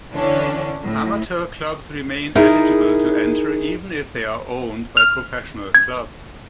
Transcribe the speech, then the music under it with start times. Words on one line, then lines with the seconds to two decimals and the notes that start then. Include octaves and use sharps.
Amateur clubs remain eligible to enter even if they are owned by professional clubs.
0.13 D3 E3 C#4 D4
0.82 A2
2.35 D#4 E4 G#4 A#4 E5
4.97 F6
5.75 G#6